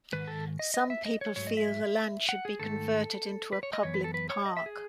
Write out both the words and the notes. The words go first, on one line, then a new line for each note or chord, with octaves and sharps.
Some people feel the land should be converted into a public park.
G#2 D#3 B4
A4
D#5
D#5
E5
D#5
C#5
G#2 F#3 A3 C#5
D#5
E5
F#5
G#4
G#2 D#3 A3 A4
B4
C#5
D#5
F#2 E3 B3 C#5
B4
A4
B4
C#5
D#5
E5
G#4